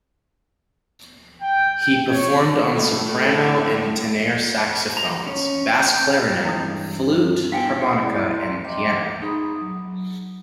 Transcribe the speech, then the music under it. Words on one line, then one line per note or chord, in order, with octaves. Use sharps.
He performed on soprano and tenor saxophones, bass clarinet, flute, harmonica and piano.
G5
G5
C#5
A2 A3
A#5
C#4
G5
G2 E3 G#3 C4 E4 D#6
B3 D4 E4 F#4 F5 G5 G#5
E4 G#4 C5 D5
D5 A#5 C6
D#5 E5 G5 A#5 C6 D6
D#4 G#4 A#5 B5 D#6
F#3